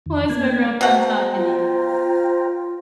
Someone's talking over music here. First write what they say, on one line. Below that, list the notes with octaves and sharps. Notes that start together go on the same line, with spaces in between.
Well, it's been real fun talking to you.
F2 D#3
A#3 B3 G#6
B2 C5 F#5 G5 A#5
F4